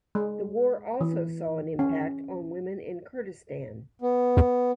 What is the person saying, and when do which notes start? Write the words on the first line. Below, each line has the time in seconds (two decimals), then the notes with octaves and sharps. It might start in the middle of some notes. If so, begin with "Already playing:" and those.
The war also saw an impact on women in Kurdistan.
0.15 G#3
1.01 E3
1.79 C#4
4.02 B3